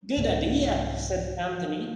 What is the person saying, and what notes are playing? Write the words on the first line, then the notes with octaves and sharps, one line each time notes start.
"Good idea," said Anthony.
C2 G#2 D#3 C4